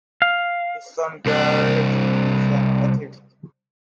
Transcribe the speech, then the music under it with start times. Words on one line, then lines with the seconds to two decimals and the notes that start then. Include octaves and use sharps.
His son Gerald is an athlete.
0.22 F5
1.26 C2 D4